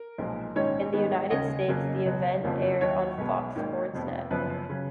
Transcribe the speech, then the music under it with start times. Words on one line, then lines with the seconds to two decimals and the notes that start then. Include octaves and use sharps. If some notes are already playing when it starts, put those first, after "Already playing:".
In the United States the event aired on Fox Sports Net.
Already playing: A#4
0.18 B1 A#2 F3 G#3
0.55 A#1 G#2 D#3 G#3 C#4 C#5
0.93 G#2 D#3 G#3 B3
1.31 D#2 C#3 G#3 C#4 D#5
1.68 F2 C#3 F#3 A#3 C#4
2.06 C#2 B2 F#3
2.43 F#1 F2 F3 A#3 C#4
2.81 D#2 D#3 F#3 C#5
3.18 B1 B2 G#3 B3
3.56 G#1 G#2 D#3 A#3
3.93 F1 F2 F3 B3
4.31 F#1 F#2 F3 B3 B4
4.70 C#3 F#3